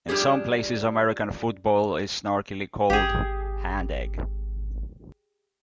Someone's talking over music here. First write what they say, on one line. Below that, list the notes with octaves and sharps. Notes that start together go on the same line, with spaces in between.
In some places, American football is snarkily called hand-egg.
F3 G3 D4 G4 G#4
G#1 G4 G#4